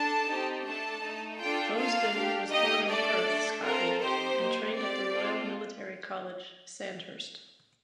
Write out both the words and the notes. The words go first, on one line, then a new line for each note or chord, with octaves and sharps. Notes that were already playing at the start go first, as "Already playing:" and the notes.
Vousden was born in Perth, Scotland and trained at the Royal Military College, Sandhurst.
Already playing: D4 A4 A5
C4 D#4 G4
A3 D4 A4 A5
A3 D#4 A4
D4 F4 A4 G5
A#3 F4 A4 F5
D4 G4
A#3 D#4 G4 D#5
A3 D4 A4 D5
A3 D4 A4
C4 F4 A4 A#4
C4 D#4 G4 C5
A#3 D#4 G4
C4 G4 D5
C4 F4 A4